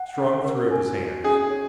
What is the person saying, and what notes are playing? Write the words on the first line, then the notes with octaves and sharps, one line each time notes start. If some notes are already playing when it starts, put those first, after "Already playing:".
Strong threw up his hands.
Already playing: F#5
C#4
A#4
G#5
F#4
C#4 G#4
C#5